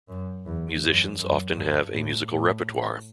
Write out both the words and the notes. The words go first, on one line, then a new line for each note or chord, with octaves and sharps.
Musicians often have a musical repertoire.
F#2
E2
F#2
F#2
G2
A2
A2
A2